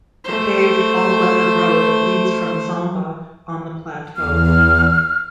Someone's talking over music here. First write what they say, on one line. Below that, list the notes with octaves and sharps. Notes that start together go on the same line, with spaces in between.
A paved all-weather road leads from Zomba on the Plateau.
A3 C5
E2 F6